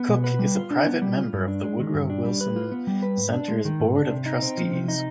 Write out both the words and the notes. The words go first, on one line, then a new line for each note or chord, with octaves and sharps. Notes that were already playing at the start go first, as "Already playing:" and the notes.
Cook is a private member of the Woodrow Wilson Center's Board of Trustees.
Already playing: B3
B2
B4
G3
F4
D4
B3
G3
F4
G2
D4
G#3
D#3
G2
D4
G3
B4
F4
B3
G3
B4
G#2
D4
G#3
D#3
G#2
D4
C3
D#4
C4
F3
C3
D#4